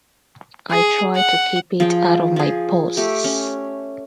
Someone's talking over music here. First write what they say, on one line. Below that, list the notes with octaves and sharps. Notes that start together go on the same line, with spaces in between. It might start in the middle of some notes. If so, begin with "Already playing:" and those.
I try to keep it out of my posts.
G#4
F#5
F3 G#4 G5
F3 G#4
A3 G4
C#4